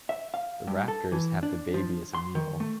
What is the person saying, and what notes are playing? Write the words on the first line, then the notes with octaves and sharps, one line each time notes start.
The raptors have the baby as a meal.
E5
F5
G2
A4
E3
D4
F3
C6
D#3
A3